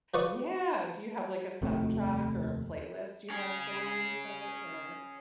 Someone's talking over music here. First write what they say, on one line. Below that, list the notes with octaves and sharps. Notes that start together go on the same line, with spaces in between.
Yeah. Do you have, like, a soundtrack or a playlist you have going for it or
F3 F#4 B4 D5 C#6 D#6
F1 D#2 C3 A3
C#4 G#4